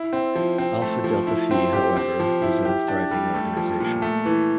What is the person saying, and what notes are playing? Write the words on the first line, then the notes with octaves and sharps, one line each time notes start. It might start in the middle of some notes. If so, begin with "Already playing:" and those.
Alpha Delta Phi, however, is a thriving organization.
Already playing: E4
C4
F3
C4
A3
F3
E4
C4
G4
C4
F3
E4
G4
D4
G3
A3
F3
A#2
A3
E3